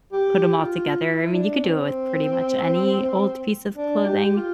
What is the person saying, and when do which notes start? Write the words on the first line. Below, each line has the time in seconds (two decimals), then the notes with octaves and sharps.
put 'em all together. I mean, you could do it with pretty much any old piece of clothing,
0.12 G4
0.57 F4
1.03 E4
1.33 D4
1.64 C4
3.76 D4
4.06 G4
4.36 F4